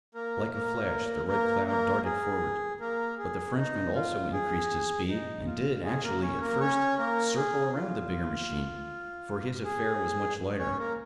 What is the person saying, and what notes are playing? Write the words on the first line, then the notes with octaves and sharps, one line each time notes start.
Like a flash the Red Cloud darted forward. But the Frenchman also increased his speed and did, actually, at first, circle around the bigger machine, for his affair was much lighter.
A#3 A#4
A#3 A#4
A#3 A#4
A#3 A#4
G#4
A#3 A#4
G#4
D#4
F4
G#4
D#4
F4
G#4
A#3 A#4
C#4 C#5
A#3 A#4
C#4 C#5
A#3 A#4
G#4
F4
G#4
C#4 C#5
A#3 A#4